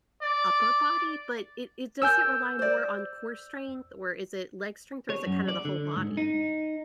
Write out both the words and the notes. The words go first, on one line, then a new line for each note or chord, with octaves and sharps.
upper body, but it it does it rely more on core strength, or is it leg strength, or is it kinda the whole body?
D5
A#4 C#5 G#5 E6 G6
C5 D5
C#5
F#2
D5
D3
G#2
D#4